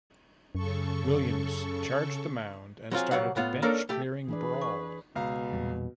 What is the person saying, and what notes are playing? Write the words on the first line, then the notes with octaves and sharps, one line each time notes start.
Williams charged the mound and started a bench-clearing brawl.
F#2 C#3 A4 C#6
F#3 C4 F4 G#4
C2 F#2 F#3 F#4 F5 F#5
A2 B3 F4
A#3 C#4 D4 A4 A#4 D5
A3 G4
E3 D4 G#4 B4 D5
C#6
C#2 B2 F5 A#5
E2 A#2 G3